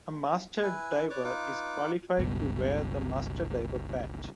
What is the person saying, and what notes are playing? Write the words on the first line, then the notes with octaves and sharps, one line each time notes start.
A master diver is qualified to wear the master diver badge.
E4 B4 G#5
B4 C#5 D5 D6
D#4 F4 B4 D6
G1 C#2 G2 B2